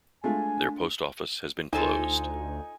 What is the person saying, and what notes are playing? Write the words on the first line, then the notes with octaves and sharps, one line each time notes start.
Their post office has been closed.
G#3 A3 D4 F4 G#5
D2 D#4 F4 A4 C5 G#5